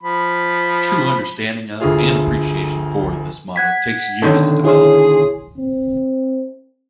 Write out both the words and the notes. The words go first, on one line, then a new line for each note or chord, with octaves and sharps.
True understanding of, and appreciation for, this motto takes years to develop.
F3 B5
G1 D2 E4 F4 G#4
F#5 G#6 B6
B2 D3 D#3 C#4 A4
E4 G#4 C#5 C6
C4